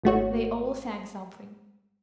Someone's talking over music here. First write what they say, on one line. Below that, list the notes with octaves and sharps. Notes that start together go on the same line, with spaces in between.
They all sang something.
G#1 A3 F#4 C#5